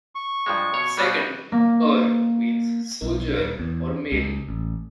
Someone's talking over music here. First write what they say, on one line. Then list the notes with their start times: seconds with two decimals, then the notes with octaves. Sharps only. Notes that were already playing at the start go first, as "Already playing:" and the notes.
The second, "er" means soldier or male.
0.15 C#6
0.46 G2 F3 G#3
0.73 B2 C#5
0.97 B2 G3 B4
1.52 A#3
3.02 B1
3.38 D#1
3.60 E2
4.12 C#2
4.48 A1